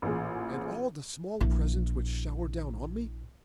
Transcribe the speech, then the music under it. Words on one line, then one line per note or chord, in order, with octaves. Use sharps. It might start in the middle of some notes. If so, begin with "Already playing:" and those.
And all the small presents which showered down on me?
A1 A#2 G#4
A#1 E4